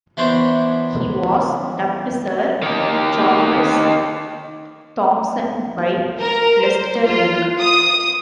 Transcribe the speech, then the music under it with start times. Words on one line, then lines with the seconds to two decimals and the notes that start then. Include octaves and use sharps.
He was dubbed Sir Charles Thompson by Lester Young.
0.17 E3 B3 D4 C5 C#5
2.63 D#3 G4
6.19 A#4
6.62 C5
7.05 F4
7.61 D#6